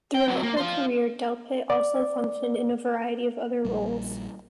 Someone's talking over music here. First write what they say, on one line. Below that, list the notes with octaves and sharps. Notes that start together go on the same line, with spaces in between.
Throughout her career, Delpit also functioned in a variety of other roles.
G5
F#3 C4
A#3
F4 C5
D5
A#1 A#2 G3 A#3